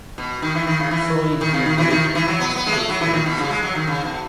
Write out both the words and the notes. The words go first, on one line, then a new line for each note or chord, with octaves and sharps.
Freud viewed religion as a false belief system.
B2
D#3
E3
D#3
C#3
E3
D#3
C#3
D#3
E3
D#3
E3
F#3
B3
B3
G#3
A3
F#3
E3
D#3
B2
C#3
G#3
F#3
D#3
C#3
B2